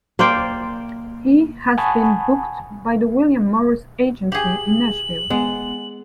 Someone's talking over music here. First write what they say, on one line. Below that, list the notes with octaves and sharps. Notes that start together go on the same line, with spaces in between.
He has been booked by the William Morris Agency in Nashville.
A#3 C5 D5 G5
F#5 G#5 A5 B5 C#6 D#6
G4 G#4 F#7
G#3 B3